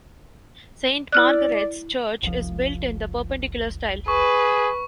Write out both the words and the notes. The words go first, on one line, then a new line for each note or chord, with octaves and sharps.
Saint Margaret's Church is built in the Perpendicular style.
E4 D5 F6 F#6
F1 C2 F3
G#4 B4 C#6